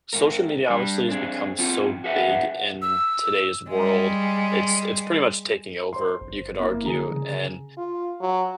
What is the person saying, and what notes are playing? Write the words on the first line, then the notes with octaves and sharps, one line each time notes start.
social media, obviously, has become so big in today's world. It's it's pretty much taking over, you could argue, and
G#2 A#4
G3 D4
C4 D4 G#4
C4 F4 F#4
F#4 G#4 B4 E5 F#5
E6
G3 G#3
C5 C6
G1
A#3 E4
D3 G#4 A#5
C#3
F4
F#3